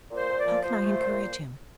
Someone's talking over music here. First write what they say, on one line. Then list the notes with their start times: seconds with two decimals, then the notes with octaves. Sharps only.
"How can I encourage him?"
0.11 A#2
0.16 C5
0.29 A#2
0.40 D5
0.46 F3
0.63 F3 C5
0.81 A3
0.98 A#2